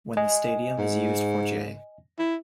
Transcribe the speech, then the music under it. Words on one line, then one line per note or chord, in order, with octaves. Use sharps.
When the stadium is used for J.
D#5 G#5
G#2
E4